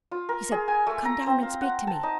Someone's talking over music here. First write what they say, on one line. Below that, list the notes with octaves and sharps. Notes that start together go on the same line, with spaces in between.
He said, 'Come down and speak to me!
F4
A#4
G#4
G#5
A3
A#5
C4
F5
F#5
A5
D#4